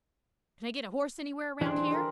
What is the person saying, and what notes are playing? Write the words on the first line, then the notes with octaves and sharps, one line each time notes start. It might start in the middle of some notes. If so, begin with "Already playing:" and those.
"Can I get a horse anywhere around here?"
E3 G3 G#3 D4 C5
G3 A4 A#4